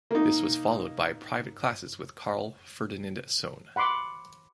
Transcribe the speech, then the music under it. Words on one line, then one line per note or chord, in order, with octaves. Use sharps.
This was followed by private classes with Karl Ferdinand Sohn.
A#3 D#4
F#5 B5 C6 D6